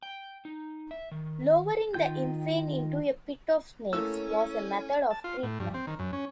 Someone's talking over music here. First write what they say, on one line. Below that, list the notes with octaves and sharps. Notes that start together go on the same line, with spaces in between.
Lowering the insane into a pit of snakes was a method of treatment.
G5
D#4
E5
D#3
D#3 F4 G5 G6
A3 A#3 C#4 E4 A4 E6
A5
F4
A2
G2
C4
D#3
F#2
C#4